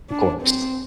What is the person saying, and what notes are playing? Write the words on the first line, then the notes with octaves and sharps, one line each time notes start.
Of course.
D4
C4